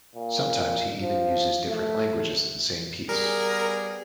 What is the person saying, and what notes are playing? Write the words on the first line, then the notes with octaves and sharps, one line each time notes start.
Sometimes he even uses different languages in the same piece.
A#2
F3
A3
G3 B3 G#4 A#4